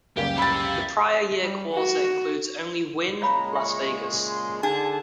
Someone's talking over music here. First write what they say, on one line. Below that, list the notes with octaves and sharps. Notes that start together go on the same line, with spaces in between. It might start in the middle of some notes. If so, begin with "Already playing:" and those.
The prior year quarter includes only Wynn Las Vegas.
C#2 F#2 C#3 G3 A#3 G4
G4 E5 B5 A6
G3
F#4
A#2 C#3 G#3 C#5 F5 A#5 B5
E5 C#6
C6
D3 D#4 G#4 A5